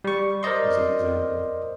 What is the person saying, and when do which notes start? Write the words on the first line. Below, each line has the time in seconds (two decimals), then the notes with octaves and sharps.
As an example.
0.04 G3 C#6
0.43 A#4 C5 D5 D#5 C6